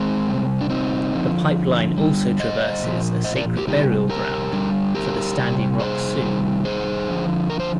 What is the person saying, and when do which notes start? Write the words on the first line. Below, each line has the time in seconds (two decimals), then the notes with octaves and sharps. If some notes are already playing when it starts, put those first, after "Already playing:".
The pipeline also traverses a sacred burial ground for the Standing Rock Sioux.
Already playing: D#3 G#3 C4
0.28 C3 G3
0.61 D4
0.70 C4 D#4
1.13 D3 F3
1.98 D3 G3
2.40 C5 D#5
2.83 A#2 F3
3.24 C5 D#5
3.36 A#4 D5
3.57 G4 A#4
3.67 C3 G3 D#4 G4
4.09 G4 A#4
4.53 D3 G3
4.95 G4 A#4
5.38 C3 G3
5.80 G#4 C5
6.22 C3 D#3 G3
6.65 G#4 C5
7.08 D3 F3
7.50 A#4
7.60 C5